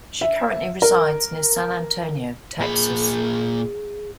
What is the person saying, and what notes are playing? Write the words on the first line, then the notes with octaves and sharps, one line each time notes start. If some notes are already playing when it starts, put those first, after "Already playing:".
She currently resides near San Antonio, Texas.
E5
A#4
A#2 G#4 B5